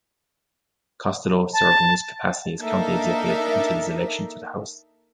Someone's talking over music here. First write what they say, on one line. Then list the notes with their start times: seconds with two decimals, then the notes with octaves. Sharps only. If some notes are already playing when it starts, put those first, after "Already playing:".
Costello served in this capacity as county executive until his election to the House.
1.54 A5
2.60 A#3 D4 D#4 A4 A#4 E5